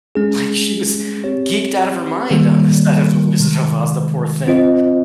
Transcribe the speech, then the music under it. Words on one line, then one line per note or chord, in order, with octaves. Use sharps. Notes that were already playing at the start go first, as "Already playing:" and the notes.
like, she was geeked out of her mind on the set of The Wizard of Oz, the poor thing.
G#3 C#4 G#4
C4 G4 C#5
D#3 G3 A#3
C3 D#3 G#3
C4 F4 C5 D#5